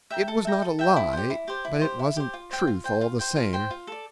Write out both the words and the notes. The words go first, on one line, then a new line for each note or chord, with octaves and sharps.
It was not a lie--but it wasn't truth all the same.
E5 G5 A#5
A4
E5 G5 A#5
A4
E5 G5 A#5
E4
G4 C5
E4
G4 C5
E4
G4 C5
E4
G4 C5
F4
C5 G5
F4
C5 G5
F4
C5 G5
F4
C5 G5
F4
A4 D5